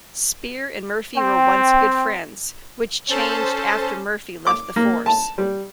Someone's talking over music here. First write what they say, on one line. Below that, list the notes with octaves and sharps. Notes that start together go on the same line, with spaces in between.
Speer and Murphy were once good friends, which changed after Murphy left the force.
C4 G5
C#4 A4 C5 A5
D6
A#3
A5
G3